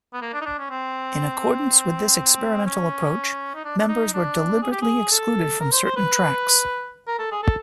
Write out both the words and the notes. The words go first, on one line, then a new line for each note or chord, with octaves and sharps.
In accordance with this experimental approach, members were deliberately excluded from certain tracks.
B3
A#3
D4
D#4
D4
C#4
C4
C#4
D#4
D4
D4
D#4
D4
G#4
G4
G#4
A4
A#4
C5
C5
B4
A#4
A4
G#4
A4